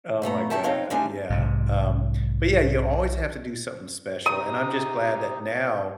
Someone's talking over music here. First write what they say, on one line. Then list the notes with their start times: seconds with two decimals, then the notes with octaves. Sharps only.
Oh my god. Yeah. Um, but, yeah, you always have to do something special. And I'm just glad that now,
0.22 A#2 A3 B3 A#5
0.50 F#2 G3 A3 E5 G5 A5
0.64 C4 D#4 C#5 F5
0.90 D3 G3 A3 D4 D#4 G#5
1.30 B1 G#2 C3
4.26 C3 D#4 D#6